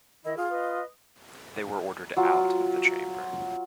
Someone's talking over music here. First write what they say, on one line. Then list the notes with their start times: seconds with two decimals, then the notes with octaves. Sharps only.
They were ordered out of the chamber.
0.25 D#3 E4 D#5
0.37 F4 G#4 F5
0.51 B4 D#5
2.17 F#3 F4